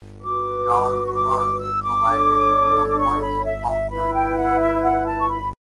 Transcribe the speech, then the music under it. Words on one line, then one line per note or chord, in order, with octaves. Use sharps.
John Hurt provided 'The Voice of The Ministry'.
F#4 B4 D6
C#6
D6
D6
E6
D6
D4 A4 C#5
D6
C#6
B5
E5
E5
E4 B4 B5
G5
F#5
E5
F#5
A5
C#6
B5